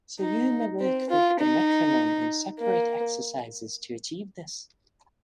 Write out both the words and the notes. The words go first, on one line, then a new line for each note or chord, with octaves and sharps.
So you may work with the metronome in separate exercises to achieve this.
D#4
C4
F4
D#4
A#3